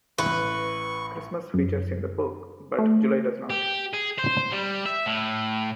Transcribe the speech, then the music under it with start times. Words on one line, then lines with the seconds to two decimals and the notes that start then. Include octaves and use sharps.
Christmas features in the book, but July does not.
0.18 A1 B4 C#6
1.54 F#2
2.78 A3
3.50 G4
3.93 G#4
4.18 C5
4.51 G3
4.86 E5
5.06 A2